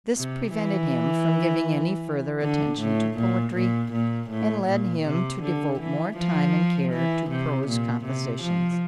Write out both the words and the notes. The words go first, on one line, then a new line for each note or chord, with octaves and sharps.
This prevented him from giving any further attention to poetry, and led him to devote more time and care to prose compositions.
C3
E3
D3
A2
A#2
A#2
A#2
A2
A#2
C3
D3
E3
F3
E3
C3
A#2
C3
F3